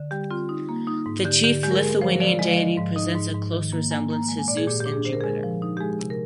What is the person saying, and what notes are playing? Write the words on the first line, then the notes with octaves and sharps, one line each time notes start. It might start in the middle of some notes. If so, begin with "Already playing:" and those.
The chief Lithuanian deity presents a close resemblance to Zeus and Jupiter.
Already playing: D3
G3 G4
C4 F4
D#4
A#3
D#4
G#2
D3 G4
D3 G4
G#3 G4
A#4
G#4
G#3
A#4
F3 C5
F3 D5
G#3 D#5
F5
F3 D#5
G#2
D#4 D#5
G#2
G#2
D#3
A#3
A#3 G#5
A#3 A#5
G#3
G#5
A#2 D5
G#4
A#2 G4
G4
D4
G#4
D3 C5
A#4
G#4
G#3
A#4
F3
D#4
G4
G#3 G#4
C3
A#4